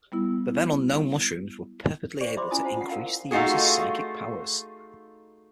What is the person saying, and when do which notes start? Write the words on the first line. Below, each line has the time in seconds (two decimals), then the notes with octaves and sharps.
The then-unknown mushrooms were purportedly able to increase the user's psychic powers.
0.12 G3 B3 E4
2.21 C5 D5 C#6
2.36 G4 C5 E5 B5 C6 D6
2.51 C#4 E4 F4 G#5 A5 D#6
2.63 F4 C5 F#5 A5
2.77 F4 F#5
2.88 A#4 F5 F#5 A5
3.31 A3 D#4 F4 F#4 G#4